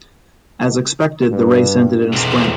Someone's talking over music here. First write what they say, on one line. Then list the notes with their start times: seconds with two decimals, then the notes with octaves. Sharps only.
As expected the race ended in a sprint.
1.30 G2
2.13 B1 E2 C3